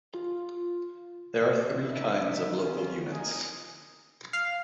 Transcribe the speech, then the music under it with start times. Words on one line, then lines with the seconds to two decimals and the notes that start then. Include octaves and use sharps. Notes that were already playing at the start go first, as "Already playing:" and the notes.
There are three kinds of local units.
0.14 F4
1.81 D#4 B4 E5
2.55 C4 C#4 F4
3.11 F3 A#4 D#5 G#5
4.33 F5